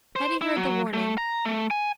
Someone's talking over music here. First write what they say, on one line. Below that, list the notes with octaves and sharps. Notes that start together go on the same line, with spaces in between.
Hetty heard the warning.
C5
E4
F#3
A3
A#5
A3
G#5